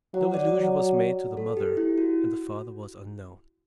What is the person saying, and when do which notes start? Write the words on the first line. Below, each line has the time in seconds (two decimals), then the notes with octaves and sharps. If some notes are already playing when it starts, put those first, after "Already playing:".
No allusion was made to the mother, and the father was unknown.
0.14 F#3 F#5
0.34 D5
0.54 F#3
1.37 A4
1.57 G4
1.77 E4
1.98 F#4